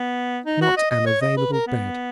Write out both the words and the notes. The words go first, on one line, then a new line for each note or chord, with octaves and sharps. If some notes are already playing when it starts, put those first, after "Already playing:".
Not an available bed.
Already playing: B3
D#4
F#4
D#5
D#5
C#5
D#5
B4
A#4
B3